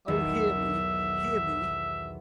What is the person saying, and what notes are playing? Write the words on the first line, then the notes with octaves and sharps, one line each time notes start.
Oh, hear me! hear me!
B1 E2 D#3 E5